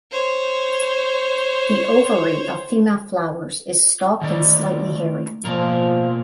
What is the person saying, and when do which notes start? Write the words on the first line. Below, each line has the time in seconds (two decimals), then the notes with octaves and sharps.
The ovary of female flowers is stalked and slightly hairy.
0.12 C5 C#5
4.21 D#3 A3 D5
5.45 B2 F3 A#3 A#4